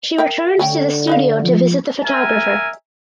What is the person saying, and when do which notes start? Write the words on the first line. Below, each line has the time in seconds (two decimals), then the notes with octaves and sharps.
She returns to the studio to visit the photographer.
0.18 A#4 E5 G5
0.59 D3 A3 C#4 G5
1.07 D#4 B4 F5
1.44 F3
2.05 A#4 E5 G#5